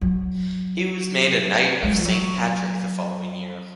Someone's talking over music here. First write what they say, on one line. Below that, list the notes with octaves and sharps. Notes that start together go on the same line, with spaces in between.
He was made a Knight of Saint Patrick the following year.
F#3
G#3
F#3
F3
F#3